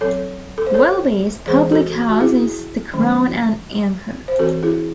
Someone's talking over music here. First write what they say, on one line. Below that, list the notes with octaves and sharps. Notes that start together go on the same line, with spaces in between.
Welby's public house is the "Crown and Anchor".
F#3 C4 A4 C#5
A4
C5
A4 C#5
E3 G#3 C4 G#4 C5
F#4 A4
F#4
E4 G#4
D#3 F#3 A3 C#4
C5
E3 C4 F#4 A4
E4 G#4